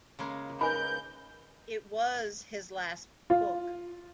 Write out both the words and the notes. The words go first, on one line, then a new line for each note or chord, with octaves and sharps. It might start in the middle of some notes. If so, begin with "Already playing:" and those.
It was his last book.
C#3 G#3 A#3
D#4 A#4 B4 G#5 B5 G6
F4